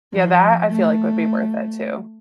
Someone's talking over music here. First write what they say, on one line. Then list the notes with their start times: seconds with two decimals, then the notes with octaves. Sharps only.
Yeah, that, I feel like would be worth it, too.
0.13 F3
0.69 A3